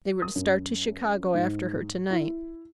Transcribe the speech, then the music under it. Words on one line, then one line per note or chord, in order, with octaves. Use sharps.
They were to start to Chicago after her to-night.
D#6
F#2
G#2
E4